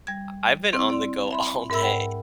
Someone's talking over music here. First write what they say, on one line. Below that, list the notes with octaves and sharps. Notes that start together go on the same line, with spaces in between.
I've been on the go all day,
G3 G#6
C4 E4
D5 C6
E5 B5 C6
G#2 A#4 E5 B5 E6
F#5 G5